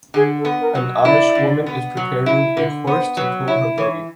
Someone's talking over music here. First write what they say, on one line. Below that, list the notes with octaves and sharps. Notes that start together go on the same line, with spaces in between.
An Amish woman is preparing a horse to pull her buggy.
D3 G#4
A4
B3
A#4
F#3
E4 D5
D3
B3
F#3
E4
D3
B3 C5
F#3 B4
E4 C#5
E3 C#5